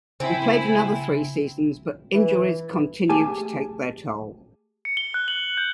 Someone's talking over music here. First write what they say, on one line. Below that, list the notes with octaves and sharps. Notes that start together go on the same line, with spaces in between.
He played another three seasons, but injuries continued to take their toll.
C#3 C4 E4 G#5
E3
A3 G4 G#4 G#5 A5
C#7
G7
F#6
F#7
G6